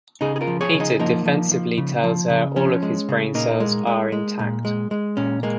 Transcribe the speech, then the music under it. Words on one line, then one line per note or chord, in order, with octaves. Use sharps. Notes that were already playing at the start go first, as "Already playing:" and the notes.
Peter defensively tells her all of his brain cells are intact.
C#3 D#4 G#4
G#4
F4 A#4
F3
G#4 C#5
C#3
D#4 G#4
F3 A#3 D#4
F3
F3
C#3
F3
C#3
F3 C#4
G#3
C#3
A#2 A#3 D#4
G#3
G#3
G#3
A#2
G#3
G#3
A#2 C#4
G#3 A#3